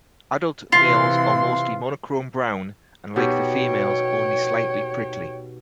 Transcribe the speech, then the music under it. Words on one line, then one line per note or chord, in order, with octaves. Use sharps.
Adult males are mostly monochrome brown and like the females only slightly prickly.
C3 E3 F4 C6
B2 D#4 G4 C#5 G5